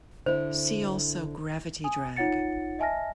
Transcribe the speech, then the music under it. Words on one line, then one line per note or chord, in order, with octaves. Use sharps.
See also gravity drag.
D3 E4 C5
G#5 D#6
D#4 F4 C#5 F#5 A6 C#7
D#5 E5 G#5 A5 F6 A#6